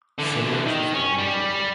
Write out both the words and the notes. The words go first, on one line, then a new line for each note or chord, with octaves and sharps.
Sayers was born in Turkey.
D3 E3
D#3
C#4
G3